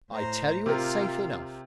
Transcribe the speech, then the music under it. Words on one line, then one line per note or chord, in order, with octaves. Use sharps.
I tell you it's safe enough.
A2 C5 A#5
C3 F4 G4 A#4 F5